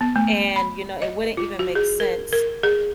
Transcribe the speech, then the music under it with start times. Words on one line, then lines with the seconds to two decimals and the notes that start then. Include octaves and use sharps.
and, you know, it wouldn't even make sense
0.01 B3
0.16 A3
0.56 B5
1.02 D#5
1.37 F4
1.59 F#4
1.75 G#4
2.00 A#4
2.33 A#4
2.63 G#4